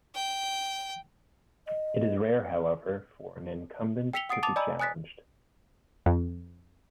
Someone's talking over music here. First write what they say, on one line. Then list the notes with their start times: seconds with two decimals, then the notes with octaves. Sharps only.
It is rare, however, for an incumbent to be challenged.
0.15 G5
1.67 D#5
4.13 G5 E6 B6 C#7 F7 G7
4.29 F#5 D#6 A6 C7 D7
4.43 A5 D6 D#6 A6 F7
4.56 D5 D#5 G#5 A#5 B5 E6
4.80 G#5 D#6 F#6 A6 B6
6.06 F2